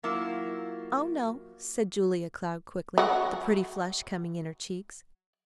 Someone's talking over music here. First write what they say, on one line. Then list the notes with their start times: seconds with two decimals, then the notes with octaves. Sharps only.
"Oh, no," said Julia Cloud quickly, the pretty flush coming in her cheeks.
0.03 F#3 A#3 E4 F4
2.98 F#3 F#4